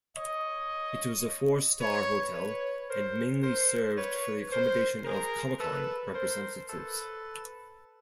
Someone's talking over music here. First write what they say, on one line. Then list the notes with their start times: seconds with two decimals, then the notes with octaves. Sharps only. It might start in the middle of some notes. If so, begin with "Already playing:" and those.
It was a four-star hotel and mainly served for the accommodation of Comecon representatives.
0.17 C#5 D#5
1.80 B4 C#5
2.34 B4 C#5
2.88 A#4 C5
3.42 A#4 C5
3.97 B4 C#5
4.51 A#4 C5
5.05 G#4 A#4
5.59 A4 B4
6.13 A#4 C5
6.68 A4 B4